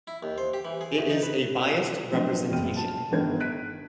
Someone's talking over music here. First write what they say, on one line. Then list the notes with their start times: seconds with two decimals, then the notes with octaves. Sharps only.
It is a biased representation.
0.07 E4
0.23 D#2
0.38 C5
0.54 G4
0.65 E3
0.81 G#4
0.98 E2
1.10 D#4
1.23 B4
2.11 F3 F#3 A3 B3 C4 D4
2.51 F#1 B2 G5 F6 D#7
2.76 A5
3.11 G1 G2 D3 D#3 A#4 G#6
3.40 F#6 B6 D7 D#7